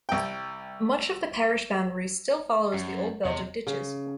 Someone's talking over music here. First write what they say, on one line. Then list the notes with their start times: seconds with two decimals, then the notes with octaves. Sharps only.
Much of the parish boundary still follows the old Belgic ditches.
0.09 C2 G5
2.74 F#2 F#3
3.25 E2 C3 C#5 D#5
3.67 C#3